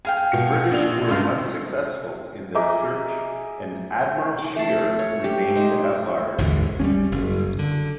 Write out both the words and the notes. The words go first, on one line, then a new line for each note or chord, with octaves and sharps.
The British were unsuccessful in their search and "Admiral Scheer" remained at large.
G#4 F5 G5 G#5
B2 C7 C#7
A#1 D4 F7
C#2 G2 F4 C6
G#4 D#5 E5 A#5 D6
D6
A3 A5
C#5
G4
D#4 C5
G#1 D#2 D3 E3
G3 A#3 C#4
F#1
D3